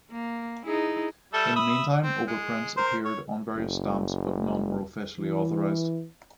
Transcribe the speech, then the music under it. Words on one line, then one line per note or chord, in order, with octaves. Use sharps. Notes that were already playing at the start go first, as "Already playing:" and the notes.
In the meantime, overprints appeared on various stamps, but none were officially authorized.
A#3
D#4 E4 G#4
G3 A4 E5
E5 B5 D#6
C4
G#3
A#4 C5
C#5
F#1
E3